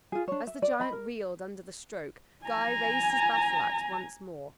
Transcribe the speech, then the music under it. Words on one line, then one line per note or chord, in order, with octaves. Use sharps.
As the giant reeled under the stroke, Guy raised his battle-axe once more.
F4 G#4
D4 C#5
E5
D5
D#5 B5
A#4
G#5 A#5